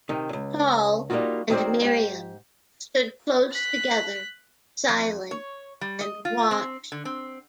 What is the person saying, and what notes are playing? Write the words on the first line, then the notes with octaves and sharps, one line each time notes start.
Paul and Miriam stood close together, silent, and watched.
C3 D#3
C#2 F#2
G3 A#3 C4 D#4 F4 F#4
D#3 F#3 C4 D#4 C5 D5
G#2 G4
F#6 B6
F2
C#5
G3
D#5
F4
C4
D3
C4